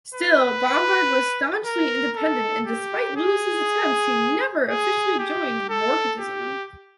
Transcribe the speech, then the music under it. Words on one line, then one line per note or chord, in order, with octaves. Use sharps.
Still, Bomberg was staunchly independent and despite Lewis' attempts he never officially joined Vorticism.
B4
A#4
A4
G4
G#4
G#4
G4
A4
G4